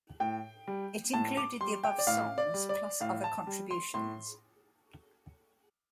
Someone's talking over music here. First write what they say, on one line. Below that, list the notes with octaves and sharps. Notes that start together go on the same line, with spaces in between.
It included the above songs, plus other contributions.
A2 G5
G3
A2 A5
D6
G3 C6
G5
D5
A2 F5
D5
G3
D5
A2 F5
A5
G3
C6
A2 C6